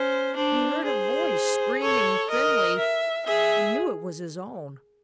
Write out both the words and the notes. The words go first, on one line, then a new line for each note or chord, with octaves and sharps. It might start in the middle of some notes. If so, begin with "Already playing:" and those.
He heard a voice screaming thinly, and knew it was his own.
Already playing: C#4 C5
D4 C5
G#4 C5
A4 C#5
A#4 D#5
E5
G#4 E5